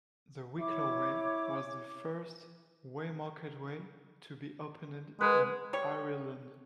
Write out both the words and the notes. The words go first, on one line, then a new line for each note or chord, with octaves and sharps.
The Wicklow Way was the first waymarked way to be opened in Ireland.
E4 C#5 D6
G#3 B4
G3 C#5